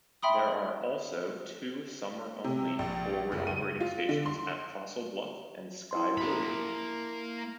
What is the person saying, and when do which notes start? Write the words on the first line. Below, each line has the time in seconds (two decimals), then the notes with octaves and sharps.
There are also two summer-only forward operating stations at Fossil Bluff and Sky Blu.
0.22 E5 G5 B5 C6 D#6
2.44 C3
2.79 A#1
3.32 F#1
3.47 D#7
3.80 F4
4.09 D3
4.26 C6
5.91 E4 C6
6.18 A#3 B5